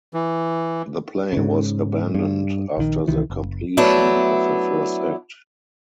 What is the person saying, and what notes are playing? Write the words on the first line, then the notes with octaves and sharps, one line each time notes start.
The play was abandoned after the completion of the first act.
E3
G#2 C#3
G2
A#1 D#3
C2 D#3 E3
F#1
F#3 A3 B3 D4 E4